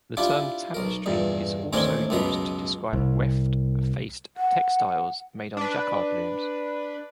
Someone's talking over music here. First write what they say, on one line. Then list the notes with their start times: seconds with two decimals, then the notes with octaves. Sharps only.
The term tapestry is also used to describe weft-faced textiles made on Jacquard looms.
0.17 D4 E4 F4 G4
0.74 B1 A#4
1.06 E2 G2 A#2
1.73 A1 D#2 C4 D4 A#4 G#5
2.10 C#2 F#2 B2 B4 A#5
2.93 C2
4.37 F#5
5.57 D4 B4